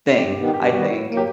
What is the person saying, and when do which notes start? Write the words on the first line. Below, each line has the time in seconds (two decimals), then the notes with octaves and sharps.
thing, I think.
0.18 G2 G4
0.36 D#3 G3 B3
0.54 G2 G4
0.72 D#3 G3 B3 F#4
0.89 A2 E4
1.07 F#3 A#3
1.17 G4